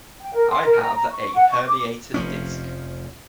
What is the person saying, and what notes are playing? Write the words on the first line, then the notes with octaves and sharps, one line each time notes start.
I have a herniated disc.
G5
A#4
C6
A#4
A#5
A#5
C#6
F#5
C#6
D6
F1 F3 C#4